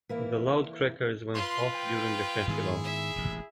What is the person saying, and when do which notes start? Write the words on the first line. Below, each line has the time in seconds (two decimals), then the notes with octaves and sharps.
The loud crackers went off during the festival.
0.09 E3 A#3 E4
1.35 F4 B4 C6
1.73 F3 G5
2.47 G#2 D#3 B3 E4 G#4
2.83 E5
3.16 E1 A1